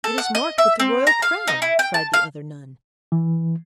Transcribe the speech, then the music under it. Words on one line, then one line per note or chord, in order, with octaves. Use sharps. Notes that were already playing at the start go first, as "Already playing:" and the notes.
"It is marked with the royal crown!" cried the other nun.
A4
F#5
D#5
E5
C4
A#5
F5
D#4
E4
G5
A5
F5
E3